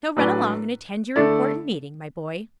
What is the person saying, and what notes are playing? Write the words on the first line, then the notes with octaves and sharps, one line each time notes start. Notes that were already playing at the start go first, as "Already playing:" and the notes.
"Now, run along and attend your important meeting, my boy."
A2 F#3 D4 B4 D5
D3 A3 E4 A4 D5